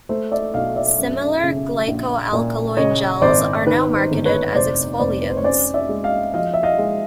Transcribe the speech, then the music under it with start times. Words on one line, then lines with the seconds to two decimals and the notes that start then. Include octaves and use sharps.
Similar glycoalkaloid gels are now marketed as exfoliants.
0.09 A3 C5
0.32 D5 E5
0.54 B1 D#5 F5
0.76 D5 E5
0.99 F#2
1.43 C#3
1.88 A#1
2.33 A#2
2.77 C#3 C#5 D#5
3.21 G#1 C5 D5
3.66 D#3 B4
3.96 C5
4.11 G1
4.25 B4 C#5
4.55 F1 C5 D5
4.99 F1 C5 D5
5.22 B4
5.30 C5
5.37 C#5
5.44 C#4 C5 D5
5.74 D5 E5
5.89 G#3
6.04 D#5 F5
6.34 F3 D#5 F5
6.54 E5
6.63 D#5 F5
6.78 G#3